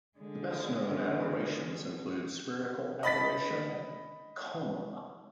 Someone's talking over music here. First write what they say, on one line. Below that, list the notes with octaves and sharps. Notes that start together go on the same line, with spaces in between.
The best-known aberrations include spherical aberration and coma.
D3 G#3
D#5 B5 A6 B6